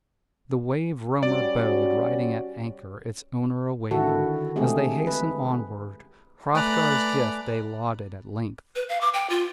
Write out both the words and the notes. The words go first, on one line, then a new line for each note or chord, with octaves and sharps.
The wave-roamer bode riding at anchor, its owner awaiting. As they hastened onward, Hrothgar's gift they lauded at length.
G3 C#4 F#4 D5
D3 D#3 E4 F#4 A4
G#3 A3 C4 G4 G#4
B4
A3 B4 D5 G#5 A#5 F#6 F7
B4
F5
D6
G5
F4